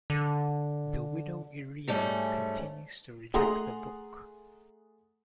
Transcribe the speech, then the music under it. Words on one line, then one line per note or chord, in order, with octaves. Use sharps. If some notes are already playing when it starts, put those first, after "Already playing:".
The widow Irina continues to reject the book.
D3
G#2 G3 A3 C#4
A3 G#4 F#5 A#5 C6 D#6